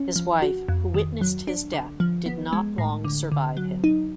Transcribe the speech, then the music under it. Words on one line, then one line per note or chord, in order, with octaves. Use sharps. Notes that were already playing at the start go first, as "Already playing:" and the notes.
His wife, who witnessed his death, did not long survive him.
Already playing: C#4
F3
F#4
F2
D#3
F#3
D4
D3
F3
B3
G#3
A2
D3
D3
F#3
D#4